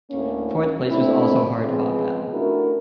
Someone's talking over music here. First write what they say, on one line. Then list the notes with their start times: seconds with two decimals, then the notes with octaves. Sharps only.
Fourth place was also a hard fought battle.
0.11 D2 A2 A#3 C#4
0.90 A#2 A3 C4 D4 E4
1.64 C#3 F3 G#3 B3 C4
2.33 A3 C#4 D4 E4 F#4 A#4